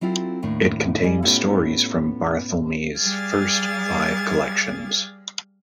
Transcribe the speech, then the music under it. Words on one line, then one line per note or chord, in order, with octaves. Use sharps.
It contains stories from Barthelme's first five collections.
F#3 C4 E4 F4 A4
D#2 A2 D4
G3 G#4 D#5
A2 B3 C#4 F4 G4 A4
G3 G#4 D5 F5 G#6 A6